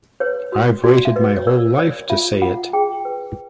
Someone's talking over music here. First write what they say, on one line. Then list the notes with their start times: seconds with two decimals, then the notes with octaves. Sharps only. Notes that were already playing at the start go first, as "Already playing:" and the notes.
I've waited my whole life to say it!
0.20 B4 C#5
0.52 F#4
0.84 F#4 D5
1.05 E5
1.16 B4 D#5
1.37 C#5
1.47 A#4 D5
1.78 C#5 D5
2.10 F4 E5
2.42 F4 F#5
2.73 G#4 G5
3.05 B4